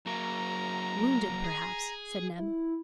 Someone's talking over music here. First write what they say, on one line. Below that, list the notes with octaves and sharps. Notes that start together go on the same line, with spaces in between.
"Wounded, perhaps!" said Neb.
F#3 A#3 A#5
G#4
E4